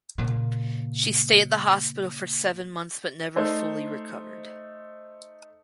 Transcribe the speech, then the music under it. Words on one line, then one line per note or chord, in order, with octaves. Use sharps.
She stayed at the hospital for seven months but never fully recovered.
A#2 C#3
A3 D#4 C5